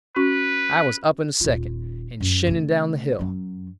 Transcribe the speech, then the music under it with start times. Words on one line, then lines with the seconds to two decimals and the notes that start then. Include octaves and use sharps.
I was up in a second and shinning down the hill.
0.16 C#4 F#4 B4 C#6
1.40 D#1 F4
2.20 F#2
2.47 C#3 A3
3.19 F#2 F#3